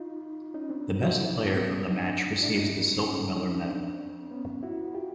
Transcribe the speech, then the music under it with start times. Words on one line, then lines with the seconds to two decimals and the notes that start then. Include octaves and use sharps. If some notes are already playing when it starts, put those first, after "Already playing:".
The best player from the match receives the Silk-Miller Medal.
Already playing: D#4 F4
0.54 C#4 D#4
0.69 C4 D4
1.01 F4
1.12 E4
1.25 D#4
1.37 D4
1.48 B3 C#4
1.79 D4
1.88 D#4
1.97 C4 D4
2.43 D4 E4
2.58 C#4 D#4
3.05 C#4 D#4
3.37 C#4 D#4
3.68 C4 D4
4.31 B3 C#4
4.63 E4 F#4
4.94 F4 G4